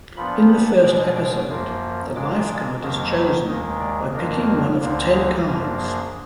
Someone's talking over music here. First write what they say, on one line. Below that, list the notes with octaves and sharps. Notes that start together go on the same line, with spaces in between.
In the first episode, the Lifeguard is chosen by picking one of ten cards.
A#2 F3 B3 D4 B5
B5
B2 G#3 D4 D6
D6
F#2 F3 A#3
A#2 G#3 D4 D6
D6
F2 D#3 F#3 A#3
B5
D#2 D#3 G#3 D#5
D5
F2 D#3 A#3 D4 A#4
D2 D3 F3 A#3 D4
G#4
F#2 F3 A#3 D4 B4
G#4